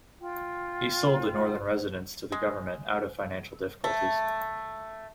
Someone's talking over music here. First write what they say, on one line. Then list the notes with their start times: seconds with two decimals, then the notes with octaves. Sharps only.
He sold the Northern Residence to the government out of financial difficulties.
0.21 F4 G5
2.32 G#3
3.84 A3